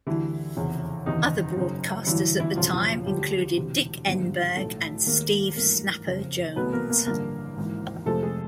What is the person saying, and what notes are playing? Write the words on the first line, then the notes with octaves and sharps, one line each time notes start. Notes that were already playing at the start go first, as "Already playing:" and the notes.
Other broadcasters at the time included Dick Enberg and Steve "Snapper" Jones.
D2 D3 E3 G3 E4
F1 E2 C#3
F#1 E2 C3 D#3 E3 D#4
F#1 F#2 C#3
G2 D3 E3 F#3 E4
E3 E4
F#4
E1 E2 C#3 F3 F#3 F4
F3 F4
D2 D3 F3 G3 G4
E1 D2 C3 E3
G#1 G2 D3 F3 A#3
B1 A2 F3 A3 A4
D#2 D#3 G#3 A#3 A#4
G#1 G2 E3 A3 A#3 A#4
F#1 F2 C#3
C2 B2 F#3 A3 B3 B4
A#3 A#4
A#3 A#4
A1 G2 D3 F3 A#3 A#4
G#1 G#2 E3
F1 F2 C3 F3 G#3 A3 A4
G#3 G#4